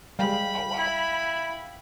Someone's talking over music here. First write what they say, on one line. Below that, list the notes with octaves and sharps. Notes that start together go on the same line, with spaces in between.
Oh, wow.
G3 G#3 F5 G5 B5
E4